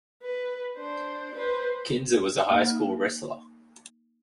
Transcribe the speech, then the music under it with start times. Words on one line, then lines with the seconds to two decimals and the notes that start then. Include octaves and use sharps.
Kinser was a high school wrestler.
0.22 B4
0.77 D4 C5
1.35 B4 C5
2.50 A#3 D#4